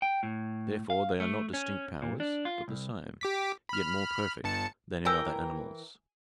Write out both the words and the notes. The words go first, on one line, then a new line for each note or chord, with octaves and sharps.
Therefore they are not distinct powers, but the same, yet more perfect than in other animals.
G5
A2
F5
A3
C#4
A#2
D4
F4
C2
G4 D6 B6
B5 F6
G1 A5 C#7
E3 A#4 G5 G#5 E6